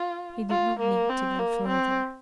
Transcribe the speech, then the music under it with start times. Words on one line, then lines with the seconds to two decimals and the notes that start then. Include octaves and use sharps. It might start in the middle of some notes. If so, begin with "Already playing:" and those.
He did not need to go further.
Already playing: F4
0.50 F4
0.79 A#3
1.09 C4
1.39 A#3
1.68 C4